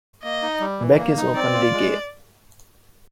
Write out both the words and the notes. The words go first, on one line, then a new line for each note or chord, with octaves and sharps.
Beck is openly gay.
A#3 D#5
D#4
G3
E3
A#3
D#4
C4 D5
F4
G#3